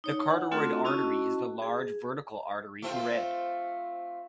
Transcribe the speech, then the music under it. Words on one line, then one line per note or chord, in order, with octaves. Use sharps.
The carotid artery is the large vertical artery in red.
D#4 C#5
F#5
A3 C4 D4 F4 F#4 A4
C#4 E4 F#4 D#5 A5
G#4
A3 C4 F4